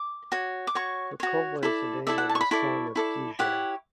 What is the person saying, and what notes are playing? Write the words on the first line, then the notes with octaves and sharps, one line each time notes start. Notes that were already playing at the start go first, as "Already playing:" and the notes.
Rokola is a name of the son of Degei.
Already playing: D6
F#4 C#5
D6
F#4 C#5 C#6
F#4 C#5
E4 A4 D5
E4 A4 D5 E5
F#5
A5
C#6
B5
E4 A4 D5 C#6
E4 A4 D5
E4 G4 C#5 F#5